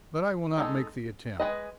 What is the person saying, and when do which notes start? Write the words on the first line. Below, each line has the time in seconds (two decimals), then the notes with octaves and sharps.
But I will not make the attempt.
0.58 G#3 D#4 A4
1.40 G#3 C#4 G#4 B4 D#5